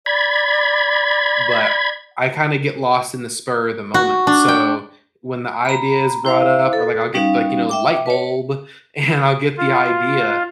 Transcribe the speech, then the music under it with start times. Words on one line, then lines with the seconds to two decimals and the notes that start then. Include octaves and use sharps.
But I kinda get lost in the spur of the moment. So, when the idea is brought up, or like I'll get like, you know, light bulb, and I'll get the idea,
0.06 D5 B5 G#6
3.94 F#4
4.27 D4
4.48 G5
5.65 A#5 B5
6.25 E4 C5 F5
6.73 A4
7.14 G3 C#4 D#4 F5
7.69 E5 G5 D6
8.06 B4 C#5
9.58 F4